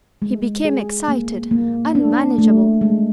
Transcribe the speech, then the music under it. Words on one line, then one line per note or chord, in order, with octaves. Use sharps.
He became excited, unmanageable.
G#3
G#4
A#3
A#3
D4
A3
G#3